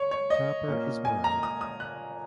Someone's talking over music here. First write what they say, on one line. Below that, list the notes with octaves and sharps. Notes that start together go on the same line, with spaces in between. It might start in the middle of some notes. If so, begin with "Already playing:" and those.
Tapper is married.
Already playing: C#5
C#5
D#5
A#2 A#3 C#4
G#5
A#5
D#6
D#6
F#6